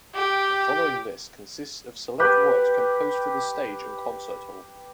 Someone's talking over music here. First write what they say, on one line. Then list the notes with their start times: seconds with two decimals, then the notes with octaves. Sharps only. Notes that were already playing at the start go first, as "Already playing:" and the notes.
The following list consists of select works composed for the stage and concert hall.
0.15 G4 G5
2.20 G4 B4